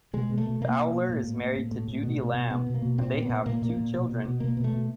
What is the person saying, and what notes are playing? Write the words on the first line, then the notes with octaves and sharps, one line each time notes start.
Bowler is married to Judi Lamb and they have two children.
B2 G#3
B2
A3
B2
B2 A#3
B2
B2
A2
A2
A2
A2
A2
A2
B2
B2
B2
B2 B3
B2
A#3
B2
A#2 C4
A#2
B3
A#2
A#2 A#3
A#2
A#3
A#2
B2
B2
B2
B2 A#3
B2
A3
B2